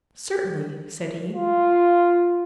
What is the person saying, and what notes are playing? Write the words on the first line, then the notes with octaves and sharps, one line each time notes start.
"Certainly," said he.
F4